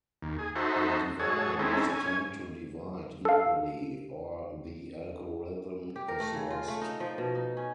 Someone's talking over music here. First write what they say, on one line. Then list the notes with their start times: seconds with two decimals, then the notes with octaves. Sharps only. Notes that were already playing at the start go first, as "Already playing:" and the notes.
The diviner must attempt to divide equally, or the algorithm is lost.
0.22 D#2
0.39 G#4
0.55 D#4 F#4 A4 C5 E5
1.20 F#4 G#4 A4 C#5
1.59 G#3 C4 C#4 D#4 E4 A4
1.90 C#4 G#5
3.25 A4 F5
5.96 G4
6.08 A#4
6.20 A3
6.34 C#3
6.50 F4
6.68 A3
6.81 D#4
7.00 F3
7.18 B2
7.35 D#4
7.57 C#4